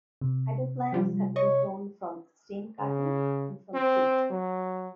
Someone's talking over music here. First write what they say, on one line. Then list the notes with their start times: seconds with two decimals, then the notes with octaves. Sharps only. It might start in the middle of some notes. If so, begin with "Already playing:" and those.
Ideal plants have been grown from stem cuttings and from seed.
0.21 C3
0.92 F3 G3 F4
1.36 C#5 D#5 C#6
2.80 C#3
3.74 C4
4.31 F#3